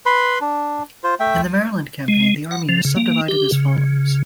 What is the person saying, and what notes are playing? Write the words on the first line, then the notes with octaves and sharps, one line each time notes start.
In the Maryland Campaign the Army was subdivided as follows.
B4 B5 C6
D4
F4 C5
A3 E5 G5
G#3
F#5
F3
C#3
A#3
G4
C#3
C#3